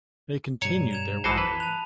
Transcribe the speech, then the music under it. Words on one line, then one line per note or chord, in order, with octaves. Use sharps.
They continue their wandering.
G2 B2 G3 C#5 A#5 D#7
G#6 E7 F7
A#1 E3 F#4 C5 A5 B5 D#6
E3 B4
A5 F#6 F7